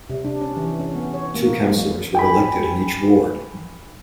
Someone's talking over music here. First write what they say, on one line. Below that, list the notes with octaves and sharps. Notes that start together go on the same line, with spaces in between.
Two councillors were elected in each ward.
C3
D4
C#4
E3
C#4
B3
C#5
A#3
G#3
F#3
G5 G#5 B5